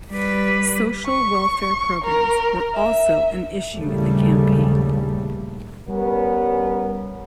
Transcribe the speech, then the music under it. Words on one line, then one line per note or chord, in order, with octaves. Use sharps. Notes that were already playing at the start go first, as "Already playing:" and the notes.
Social welfare programs were also an issue in the campaign.
G3 B4
C#6
A#4
E5
A#1 D#2 G#2 C#3 G3 A3
G3 B3 C#4 A#4